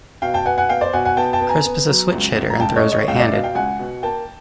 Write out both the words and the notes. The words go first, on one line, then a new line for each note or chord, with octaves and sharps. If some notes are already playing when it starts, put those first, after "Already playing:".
Crisp is a switch-hitter and throws right-handed.
B2 F5 G5
G5 A5
B3 F#5 G#5
F#5 G#5
B3 F5 G5
C5 D5
B2 F#5 G#5
F#5 G#5
B3 G5 A5
G5 A5
B3
G#5 A#5
B3
F#3
C#2
C#2
A#5
C#2 G5 A5
C#5 D#5
G#3
C#5 D#5
C#2 F5 G5
D5 E5
B2 D#5 F5
F5 G5
C#2 F#5 G#5
B2
A#3 G5 A5